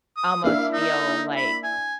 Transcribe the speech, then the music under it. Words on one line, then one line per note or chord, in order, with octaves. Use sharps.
almost feel, like,
D#6
A#3 D4 E4 F5
D#4
B5
G#5